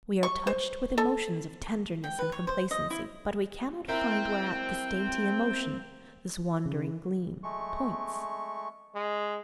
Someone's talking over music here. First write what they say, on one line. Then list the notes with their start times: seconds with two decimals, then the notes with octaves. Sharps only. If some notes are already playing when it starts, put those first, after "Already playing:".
We are touched with emotions of tenderness and complacency, but we cannot find whereat this dainty emotion, this wandering gleam, points.
0.23 C#6
0.47 C5
0.98 A4
2.04 G5
2.19 B4
2.32 C#5
2.47 C5
2.71 D#5
2.90 E4
3.88 C4 E4 A#4 E5 G5
6.66 C#3
7.43 G#3 A3 C#6
8.95 G#3